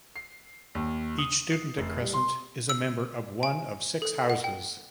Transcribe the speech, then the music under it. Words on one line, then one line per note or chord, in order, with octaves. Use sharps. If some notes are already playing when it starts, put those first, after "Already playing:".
Each student at Crescent is a member of one of six houses.
C7
D#2
D#6
C7
F1
G3
C6
E6
G#5
A4
F#5
G5